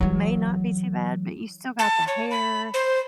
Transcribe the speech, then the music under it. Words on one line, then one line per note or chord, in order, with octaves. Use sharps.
may not be too bad, but you still got the hair
E3 F#3
A5
C#5
B5
C5